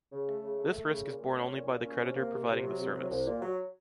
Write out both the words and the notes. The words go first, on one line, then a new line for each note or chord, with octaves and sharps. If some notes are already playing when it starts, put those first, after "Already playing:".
This risk is borne only by the creditor providing the service.
C#3
A3
C#3
A3
A3
C#3
A#2
A3
C#4
A#2
A#2
C#4
C3
A#3
C3
C3
F#3
C3
F#3
C2
A#2
F#3